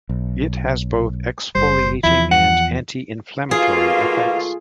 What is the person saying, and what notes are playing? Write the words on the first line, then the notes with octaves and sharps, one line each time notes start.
It has both exfoliating and anti-inflammatory effects.
B1
F#1 G3 C5
E2 F3 E4
F#5
D#3 A3 A#3 F4 F#4 G#4 B4 F5